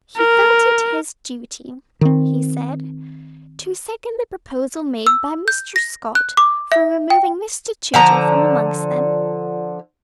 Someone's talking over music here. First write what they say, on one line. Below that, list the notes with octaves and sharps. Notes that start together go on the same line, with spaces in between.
'He felt it his duty,' he said, 'to second the proposal made by Mr. Scott for removing Mr. Tudor from amongst them.
A#4
D#3 C4
E6
G6
A#6
F#6
D6
E5
G5
D3 F3 A#5